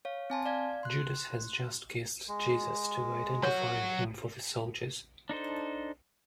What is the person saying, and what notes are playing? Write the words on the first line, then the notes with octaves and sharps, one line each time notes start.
Judas has just kissed Jesus to identify him for the soldiers.
C#5 F5
C4 G#5 A5 C6
D5 F5 G#6
C6 F#6
G#3
F#3 F#4 C#5
D4 D#4 A4 C5